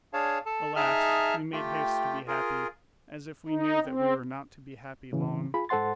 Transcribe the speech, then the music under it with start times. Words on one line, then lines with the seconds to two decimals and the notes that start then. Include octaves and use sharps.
Alas, we made haste to be happy, as if we knew that we were not to be happy long.
0.13 D4 G#4 C#5 F5 A5
0.46 A4 A5
0.76 D#4 G#4 E5 A5 F6
1.53 A3 F4 G4 G5
2.27 F4 G#4 A#4
3.48 D#4
3.84 C4
5.12 A2 C#3 E3
5.54 F4 G#4 B5
5.69 G#2 A4 C5 F#5 C6 A6